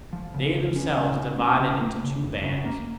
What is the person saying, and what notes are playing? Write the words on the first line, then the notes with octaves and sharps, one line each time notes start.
They themselves divided into two bands.
F3
C#3
C#2
C#4
C#3
C#4
A#3
C#3
A#3
C#3
F1
C#3
A#3